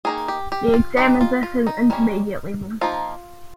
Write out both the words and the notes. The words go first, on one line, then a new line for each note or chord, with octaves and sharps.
The exam is at an intermediate level.
D#3 A#3 D#4 G#4
G4
G4
F4
G3 C4 D#4 G4
F4
F4
D#4
G3 A#3 C#4
F3 A#3 D#4 F4